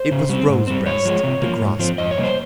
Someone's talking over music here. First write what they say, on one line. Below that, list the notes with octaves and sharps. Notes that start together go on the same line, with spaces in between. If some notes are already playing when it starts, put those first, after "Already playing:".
It was Rosebreast the Grosbeak.
Already playing: C5
C#3
G3 C4
G#2
G3 C4
G#2 C#5
F3 G#3
C3
F3 A#3
G#2
F3 C4
F2 D#5
C#5
C3 G3 A#3
C5